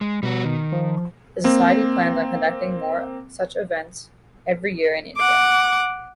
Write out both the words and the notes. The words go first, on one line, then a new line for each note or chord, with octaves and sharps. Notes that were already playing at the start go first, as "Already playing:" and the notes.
The society plans on conducting more such events every year in India.
G#3
B2 G3 F#4
D#3
F3
A#3 C4
F#5 D6